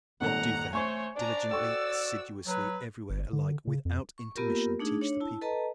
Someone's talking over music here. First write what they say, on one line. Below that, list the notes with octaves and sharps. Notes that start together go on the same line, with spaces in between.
What do they, diligently, assiduously, everywhere alike, without intermission, teach the people?
D#1 G#1 D#2 F#5 A#5
A3 C5 C#5 G#5 C#6
D4 D5 A#5
F#4 A4 G5 C#6 E6
F#3 B4
G1
D3
C#3
F2
C#6
A#3 B3 F4 G4 A#4
A3 D4 D#4 G#4
D4 C#5
E4 A5
A4 B4 D#5 A5 A#5